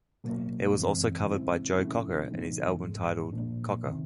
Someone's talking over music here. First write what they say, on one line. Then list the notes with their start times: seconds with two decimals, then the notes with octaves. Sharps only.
It was also covered by Joe Cocker on his album titled "Cocker".
0.24 B2 F#3 A#3
0.75 F#2 C#3 E3 G#3 C4
1.27 C#3 F3 G#3 C4 E4
1.78 C3 F3 A3 C#4 E4
2.29 C3 E3 G#3 B3 D#4
2.82 G#2 F3 G#3
3.32 A#2 F3 A#3 D4
3.85 C3 D#3